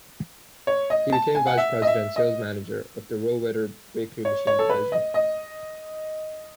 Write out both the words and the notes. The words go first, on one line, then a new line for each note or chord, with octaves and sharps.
He became vice-president and sales manager of the Rohwedder Bakery Machine Division.
C#5
D#5
A5
G#5
F#5
E5
D#5
E5
D#5
C#5
C#5
A4
B4
D#5
D#5